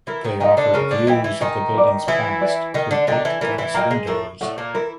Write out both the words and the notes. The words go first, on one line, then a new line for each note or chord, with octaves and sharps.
They offer views of the building's past through plate-glass windows.
E3 E4 A#4
D#3 D#4
D#3 D#4 D#5 G5
D3 D4
C#3 C#4 A#4
D3 D4
E3 E4 D#5 G5
E3 E4
D#3 D#4 G#4
B4 D5
E3 E4 G#4
B4 D5
D#3 D#4 A#4
D3 D4
D3 D4 D#5 G5 A#5
E3 E4
E3 E4 A#4
E3 E4
A#2 A#3 D#5 G5 A#5
G#3
A2 A3 A#4
A2 A3 D5 F#5
A#2 A#3
E3 E4 A#4